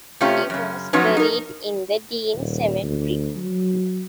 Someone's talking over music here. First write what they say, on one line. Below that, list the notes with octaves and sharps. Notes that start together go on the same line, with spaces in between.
He was buried in the Dean Cemetery.
C3 A3 C#4 F4 G4
F#2 C#3
F3 F#3 B3 C#4 D#4
D#4 A#4
D#1
D2
F#3